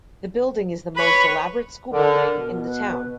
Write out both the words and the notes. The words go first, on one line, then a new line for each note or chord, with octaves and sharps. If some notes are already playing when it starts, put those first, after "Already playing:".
The building is the most elaborate school building in the town.
B4 C#5 B5
D3 A#4
B2
B4